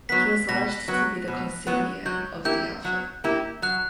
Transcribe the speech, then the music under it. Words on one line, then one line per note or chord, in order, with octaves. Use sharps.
He was alleged to be the Consigliere of the Outfit.
F#3 B3 B6
B2 A#6
F#3 B3
B2
F#3 B3
F#3 G6
A#3 E4 G4 G6
F#3
A#3 E4 G4
F#3 F#6